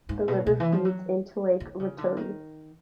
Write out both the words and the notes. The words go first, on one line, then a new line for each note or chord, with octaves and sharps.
The river feeds into Lake Rotoiti.
G#2
B2
B2
E3
F3
F#3
D#3
C#3
D3
D#3